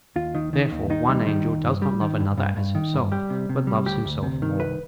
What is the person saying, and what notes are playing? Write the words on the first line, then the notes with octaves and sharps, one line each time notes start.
Therefore one angel does not love another as himself, but loves himself more.
D#2 F4
D#3
D#3
D#2
D#3 D#4
G3
D#3
D#2
G2
G3
D#3
G2
G2
G2
D#3
G2
G3 G4
C3
C3
G3
D2 G4
D2
C3
D#3
C2 B4